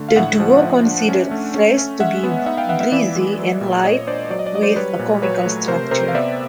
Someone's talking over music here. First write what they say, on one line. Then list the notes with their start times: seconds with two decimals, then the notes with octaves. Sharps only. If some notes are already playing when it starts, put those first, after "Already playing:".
The duo considered "Fresh" to be breezy and light with a comical structure.
Already playing: D3 A3
0.09 F5
0.16 A2 E5 F#5
0.40 F3
0.63 F3
0.85 D4
1.08 C#4
1.31 A3
1.54 C#4
1.78 C#4
2.00 G#3 E5 F#5
2.24 B3
2.46 D#4 E5 F#5
2.57 F5 G5
2.69 B3 E5 F#5
2.80 E5 F#5
2.92 E3 D5 E5
3.15 G#3
3.38 F#3
3.61 A#2
3.84 A#2 C#5 D#5
4.07 D4 C5 D5
4.30 F#3 D5
4.39 D#5
4.46 D5
4.54 F#3 D#5
4.63 C5 D5
4.76 G3 B4 C#5
4.99 A#2
5.22 F#3 B4 C#5
5.46 A3
5.68 C3 A#4 C5
5.91 C3 A#4 C5
6.08 F5
6.14 B3 D5 E5